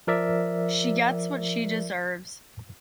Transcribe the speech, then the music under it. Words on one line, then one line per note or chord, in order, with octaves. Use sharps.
She gets what she deserves.
F3 A#4 D5 E5